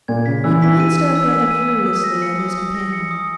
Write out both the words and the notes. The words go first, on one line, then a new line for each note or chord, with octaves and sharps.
He glanced up rather curiously at his companion.
A#2 G#6
C#3 B6
E3 E6
B6
D#7
E6
E6
B6
D#7
E6
D#6
A#6
C#7
D#6
D#6
A#6
C#7
D#6